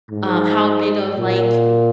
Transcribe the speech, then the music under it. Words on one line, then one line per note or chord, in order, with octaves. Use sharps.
um, how big of like,
G#2
A#2